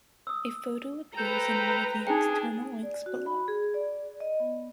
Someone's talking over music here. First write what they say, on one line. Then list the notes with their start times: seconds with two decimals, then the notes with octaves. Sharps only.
A photo appears in one of the external links below.
0.27 D#6 E6
1.17 A4 B4 C5 G5 A#5 G6
2.07 D4 D#4 G#4 G5
2.83 D5
3.06 F#4
3.26 B5
3.48 G#4
3.74 D5
4.20 D#5
4.40 B3